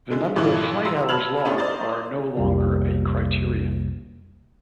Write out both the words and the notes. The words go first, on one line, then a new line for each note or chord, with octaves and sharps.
The number of flight hours logged are no longer a criterion.
D3 G#3 A3
G2 A#2 E3 F3 D#4 E4
A#5 C6 E6
A5 B5 F6 G#6 F7 F#7
B3 C#4 D4 G4
C5 D5 D#5 A#5 A6
B1 F2 C3 G3 A#3